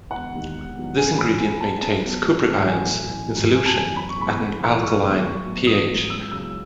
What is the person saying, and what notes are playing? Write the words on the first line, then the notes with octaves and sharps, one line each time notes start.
This ingredient maintains cupric ions in solution at an alkaline pH.
E1 F#5
D#2 D#3
E1
E2 D#3 F#3
A1 G#5
G#2 E3 B5
C#2 G#5
B2 G#3 A5
C#2 A5
B2 F#3 B3
A1
G#2 E3 A3
F#5
A1 G#5
A2 F#3 A3
A1
G#2 F#3 A3
F#1 G#5
A5
F#2 C#3 E3 G#5
F#2 B5
C#6
C#3 E3 G#3 B3 B5
F#2
E3 A3
F#1 C#6
E2 D#3 G#3 B3
B1 C#6
A2 F#3 B3
A1 D#6
G#2 F#3 A3
C#2 E6
C#3 F#3 E6